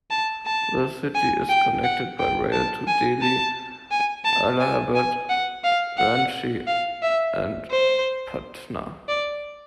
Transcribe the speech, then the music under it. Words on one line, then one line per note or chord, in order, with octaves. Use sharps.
The city is connected by rail to Delhi, Allahabad, Ranchi and Patna.
A5
A5
G#5
G5
F#5
G5
A5
G#5
A5
G#5
A5
G#5
G#5
F#5
F5
F#5
F5
E5
C5
D5